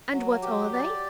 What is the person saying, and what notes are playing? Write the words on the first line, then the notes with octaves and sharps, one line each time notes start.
"And what are they?"
F#3
G4
D5